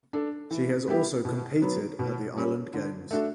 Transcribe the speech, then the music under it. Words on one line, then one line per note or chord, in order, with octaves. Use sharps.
She has also competed at the Island Games.
D4 A4
E3
G3 B3 E4 G4
B2
F#3 B3
B2
G3 C#4
D3
A3 D4 F#4 A4